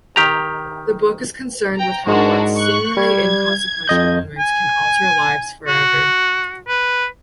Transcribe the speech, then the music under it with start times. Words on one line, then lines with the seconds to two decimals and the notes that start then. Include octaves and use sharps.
The book is concerned with how one seemingly inconsequential moment can alter lives forever.
0.16 D#3 G4 A#5
1.77 G5 A#5
2.07 G#2 G#3 D4 F#4 A#4
2.57 C#6 F#6
2.97 G3 G#6
3.88 F2 D#5 G6
4.39 G#5
5.67 F#4
6.68 B4